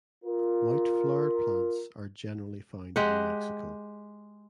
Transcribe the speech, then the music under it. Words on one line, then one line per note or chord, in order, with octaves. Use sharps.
White flowered plants are generally found in New Mexico.
F4 A#4
G#3 G4 F#5